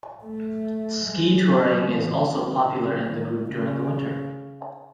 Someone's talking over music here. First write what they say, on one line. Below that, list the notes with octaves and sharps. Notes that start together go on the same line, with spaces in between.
Ski touring is also popular in the group during the winter.
A3
G#3
F#3
E3
D#3
C#3
D#3
C#3